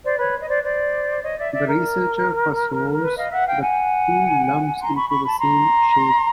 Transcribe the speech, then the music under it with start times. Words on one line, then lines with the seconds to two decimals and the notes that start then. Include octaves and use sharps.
The researcher first rolls the two lumps into the same shape.
0.03 C5 D5
0.18 B4 C#5
0.40 D#5
0.47 C5 D5
0.63 C5 D5
1.22 C#5 D#5
1.38 D5 E5
1.52 D5 E5
1.67 A#4
3.01 B4
3.16 D#5 F5
3.31 E5 F#5
3.46 F5 G5
3.60 F#5 G#5
4.80 A#5 C6
4.95 B5 C#6
5.10 B5 C#6
5.24 A5 B5
5.40 A#5 C6